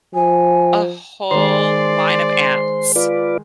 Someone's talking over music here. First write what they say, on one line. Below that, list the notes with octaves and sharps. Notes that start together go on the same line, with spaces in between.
a whole line of ants
F3 G#5
D#3 G#3 C5 D5 C6
F4 B4 D5